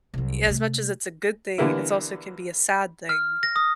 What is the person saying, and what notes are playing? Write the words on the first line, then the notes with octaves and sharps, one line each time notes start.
as much as it's a good thing, it's also can be a sad thing
C2 F#3
C3 A3
D3 E3 G3 A#3 B3 E4
F6
A#6
D#6